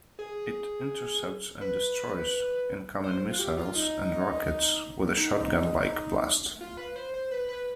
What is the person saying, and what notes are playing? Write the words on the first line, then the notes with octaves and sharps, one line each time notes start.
It intercepts and destroys incoming missiles and rockets with a shotgun-like blast.
G#4
B4
C5
F4
G4
F4
D#4
D#4
F4
B4
C5
C5
B4
B4